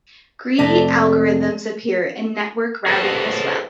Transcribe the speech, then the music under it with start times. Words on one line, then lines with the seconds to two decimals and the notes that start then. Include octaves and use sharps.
Greedy algorithms appear in network routing as well.
0.58 F2 C3 A3 D5
2.87 G#4 A4 B4 C5 E5 F#5